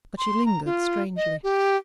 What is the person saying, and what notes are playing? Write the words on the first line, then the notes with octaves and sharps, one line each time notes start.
But she lingered strangely.
C6
A#5
F4
D#5
G4